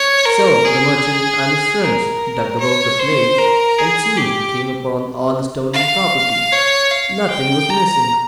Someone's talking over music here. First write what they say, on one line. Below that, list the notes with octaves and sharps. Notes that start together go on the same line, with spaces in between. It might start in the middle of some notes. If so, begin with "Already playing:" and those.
So the merchant and his friends dug about the place, and soon came upon all the stolen property. Nothing was missing.
Already playing: C#5
A#4
G#4
A#4
C#5
C5
A#4
G#4
G4
F5
C#5
F5
G5
A#5